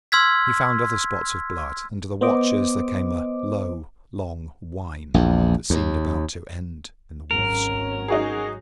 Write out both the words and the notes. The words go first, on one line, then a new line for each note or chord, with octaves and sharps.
He found other spots of blood, and to the watchers there came a low long whine that seemed about to end in the wolf song.
C6 E6 F6 G#6 B6
B3 C5 D#5 D6
A#1 E2
D#2
G#1 F#3 C#4 A#4
D#4 F#4 G#4